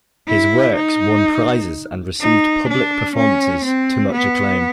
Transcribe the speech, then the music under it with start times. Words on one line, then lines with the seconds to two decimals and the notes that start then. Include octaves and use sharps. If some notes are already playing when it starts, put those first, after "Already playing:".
His works won prizes and received public performances to much acclaim.
0.27 E4
0.75 D#4
2.20 D#4
2.68 D4
3.16 C#4
3.64 C4
4.12 B3